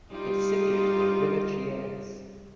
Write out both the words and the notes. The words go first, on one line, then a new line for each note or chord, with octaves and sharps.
It is situated on the river Chiese.
G3 D#4 F4